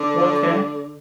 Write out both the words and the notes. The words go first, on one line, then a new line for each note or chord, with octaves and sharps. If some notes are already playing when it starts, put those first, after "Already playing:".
Well 'kay.
Already playing: D3